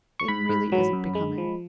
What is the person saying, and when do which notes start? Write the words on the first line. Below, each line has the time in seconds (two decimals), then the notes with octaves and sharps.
"It really isn't becoming."
0.20 C#6
0.28 G#2 B5
0.49 G#2
0.72 F#3
0.93 F#2
1.15 G#3
1.38 F3